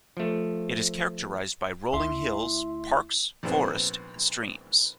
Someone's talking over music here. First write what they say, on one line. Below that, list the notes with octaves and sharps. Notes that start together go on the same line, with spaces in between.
It is characterized by rolling hills, parks, forest, and streams.
F3 A3
D2 E4 E5 C6
A#1 G#2 B3 C4